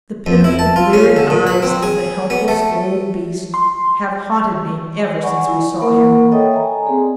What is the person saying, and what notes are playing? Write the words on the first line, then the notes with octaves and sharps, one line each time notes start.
The pitiful bleary eyes of the helpless old beast have haunted me ever since we saw him.
F2
E4
A5
F4
C#4
D3
A#2
B4
C4
G#4
B3
A3
C6
D5 F#5 G#5 B5 C#6
E4
A#3 A#4 F#5 B5 C#6
A4 C#5 D#5 E5 G5 D#6
G#5 A#5
C4 G#4 D5